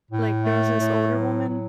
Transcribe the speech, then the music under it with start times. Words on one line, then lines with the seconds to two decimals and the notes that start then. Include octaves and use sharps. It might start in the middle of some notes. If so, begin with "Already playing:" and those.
like, there was this older woman,
0.10 A2
0.43 A3
0.77 A2
1.13 F#3
1.46 A2